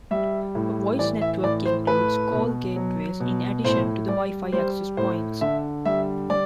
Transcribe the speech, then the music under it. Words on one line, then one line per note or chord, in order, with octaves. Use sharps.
A voice network includes call gateways in addition to the Wi-Fi access points.
G3 E5
A2
E3 D5
E5
A2 D5
C5
A3 B4
B2
F#3
B2
A2 C5
G3 D5
G3 C5
A2 C5
D3 E5
G3 E5
G3 D5